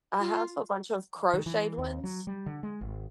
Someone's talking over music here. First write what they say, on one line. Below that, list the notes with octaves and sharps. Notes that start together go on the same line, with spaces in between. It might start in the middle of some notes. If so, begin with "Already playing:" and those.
I have a bunch of crocheted ones,
F4
D#3
E3
D#2
F#3
G3
D3
G#3
G#1